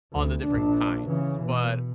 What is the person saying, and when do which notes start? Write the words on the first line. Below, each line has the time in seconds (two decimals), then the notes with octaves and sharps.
on the different kinds, but
0.13 D2
0.45 A#1 D4
1.07 C#3 E3
1.43 B2